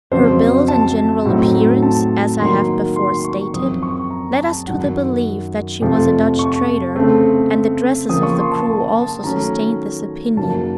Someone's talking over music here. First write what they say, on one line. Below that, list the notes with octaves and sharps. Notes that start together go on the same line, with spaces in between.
Her build and general appearance, as I have before stated, led us to the belief that she was a Dutch trader, and the dresses of the crew also sustained this opinion.
F2 C#3 F#3 C4 C5
A5
A2 F#3 C4 D#4
A5
D#3 F#3 A#3 D#4 C6
C6
C#6
F#2 F3 C4 D#6
C#6
A#5
A5
F#2 D#3 F#3 F#5
F2 C3 F3 A3
C#6
C#3 A3 C4
C#3 F3 A#3 D#6
C#6
C6
A5
A5
A5
D#3 F#3 A3 C#4 A#5
F#2 C#3 F#3 A#3 D#4 A5